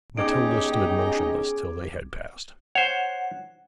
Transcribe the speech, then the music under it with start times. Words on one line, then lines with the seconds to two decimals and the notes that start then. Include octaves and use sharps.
Matilda stood motionless till they had passed.
0.17 E2 C#4 D#4 G4 G#4 D6 G#6 D7
2.75 C5 C#5 F#5